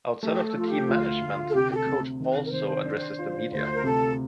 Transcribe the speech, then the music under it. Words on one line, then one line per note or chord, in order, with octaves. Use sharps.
Outside of the team management, the coach also addresses the media.
A3 G4
A4
F3 F4
G4
D2 F4
D2
A4
C3 G4
G4
A4
C3
D#3
A#4
D#3 C5
D4
F4
D2 C5
A#4
C3 A4